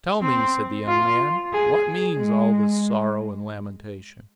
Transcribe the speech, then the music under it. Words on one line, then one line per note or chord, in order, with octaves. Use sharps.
"Tell me," said the young man, "what means all this sorrow and lamentation?"
C4
F4
G#4
G#3